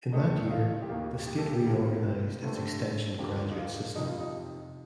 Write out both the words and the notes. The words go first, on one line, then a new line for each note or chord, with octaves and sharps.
In that year, the state reorganized its extension graduate system.
D#2 D#3 A3 C4 D#4
D#4
F4
G4
D#2 D#3 A#3 F4
G4
A4
G4
C2 C3 F3 C4
G2 D3 A3 C4
D#2 D3 F3 A#3 G4
D#4
F4
F2 C3 F3 D#4
F4
D#4